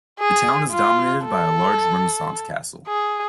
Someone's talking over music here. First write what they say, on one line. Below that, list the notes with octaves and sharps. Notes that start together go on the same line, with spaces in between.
The town is dominated by a large Renaissance castle.
G#4
F4
A4
G#4